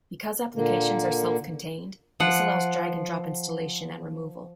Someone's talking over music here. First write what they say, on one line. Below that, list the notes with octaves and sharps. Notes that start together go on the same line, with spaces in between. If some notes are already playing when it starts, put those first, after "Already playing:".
Because applications are self-contained, this allows drag-and-drop installation and removal.
A#2 D3 A#3
F3 F#5